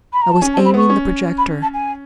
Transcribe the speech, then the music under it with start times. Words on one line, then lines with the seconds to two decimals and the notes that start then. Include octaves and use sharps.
I was aiming the projector.
0.13 B5
0.22 A#5
0.32 A5
0.41 C#4 G#5
0.54 A5
0.57 C4
0.65 B5
0.74 B3 C#6
0.90 C#4
1.38 B5
1.62 A5
1.74 G#5